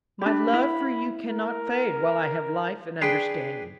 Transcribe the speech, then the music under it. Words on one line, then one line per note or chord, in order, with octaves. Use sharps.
My love for you cannot fade while I have life and understanding.
D4 G4 B5
E4
A#4
D4 G#4 B4 G5 C6